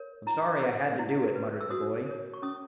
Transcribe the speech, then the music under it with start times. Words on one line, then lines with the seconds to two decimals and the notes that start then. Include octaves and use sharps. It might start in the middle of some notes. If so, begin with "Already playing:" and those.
"I'm sorry I had to do it," muttered the boy.
Already playing: A#4 C#5
0.27 E4 A#5
0.63 B4
0.99 E4
1.35 B4
1.61 E6
1.71 F#4 D#6
2.06 A#4 C#5
2.33 C#6
2.42 C#4 D#6